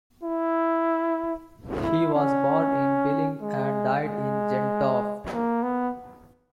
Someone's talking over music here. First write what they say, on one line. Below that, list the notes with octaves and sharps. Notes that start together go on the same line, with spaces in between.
He was born in Bellinge and died in Gentofte.
E4
E4
C#4
G#3
G#3
A#3
B3